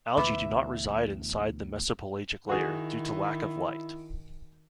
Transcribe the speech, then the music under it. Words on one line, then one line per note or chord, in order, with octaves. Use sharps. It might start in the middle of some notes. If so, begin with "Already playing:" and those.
Algae do not reside inside the mesopelagic layer, due to lack of light.
D2 B2 E3 B4 E5 B5 D6
D#3 E4 F#4 G#4